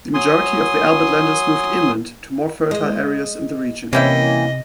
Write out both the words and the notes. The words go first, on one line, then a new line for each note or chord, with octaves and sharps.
The majority of the Albertlanders moved inland, to more fertile areas in the region.
F#3 G#5 C6 D#6
G#3 D#5
C3 E3 A#3 C#4 E4 D#5 G5